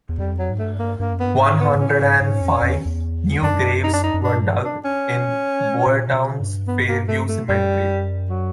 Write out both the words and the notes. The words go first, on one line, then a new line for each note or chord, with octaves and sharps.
One hundred and five new graves were dug in Boyertown's Fairview Cemetery.
E2
F2 G3
F#3
G#2
G2 A3
A#3
G2 A#3
F#2
B3
G2
G#2
B3
G#2
A2 C#4
G#2
G#2
F2
F2
E2
E2
F#2 D4
D#4
D4
D#4
F#2
G2 D4
D4
C#4
A#2
C3
B2
G2
B3
A#3
A3
A3
F#2 G3
F#3